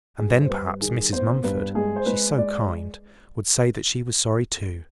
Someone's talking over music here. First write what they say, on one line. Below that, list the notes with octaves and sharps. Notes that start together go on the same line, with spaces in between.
And then perhaps Mrs. Mumford--she's so kind--would say that she was sorry too.
G2 G#4
C5
G3 B4
D#3 G#4
B3 C5
G2 B4
G#3 G#4
C5
G#3 B4
G#3 D5